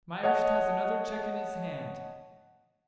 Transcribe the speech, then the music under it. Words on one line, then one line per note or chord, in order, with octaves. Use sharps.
Myerst has another cheque in his hand.
C#5 D#5 F#5 A5